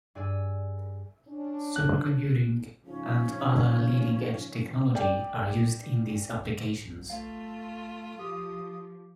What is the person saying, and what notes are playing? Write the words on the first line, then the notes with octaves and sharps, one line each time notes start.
Supercomputing and other leading-edge technology are used in these applications.
G2 G#4 D5 G#5 E6
C#4 D4
F#6
G#2 C#3 F3 C#4
D5 G5
A3 F4 F5
F3 G4 D#6